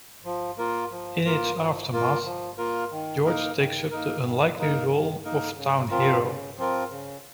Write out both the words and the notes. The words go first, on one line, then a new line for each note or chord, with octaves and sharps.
In its aftermath, George takes up the unlikely role of town hero.
F3
A#3 F4 A#4
F3
A#3 F4 A#4
F3
A#3 F4 A#4
F3
A#3 F4 A#4
D#3
A#3 D#4 A#4
D#3
A#3 D#4 A#4
D#3
A#3 D#4 A#4
D#3
A#3 D#4 A#4
C#3
F3 C4 F4 A#4
C#3
F3 C4 F4 A#4
C#3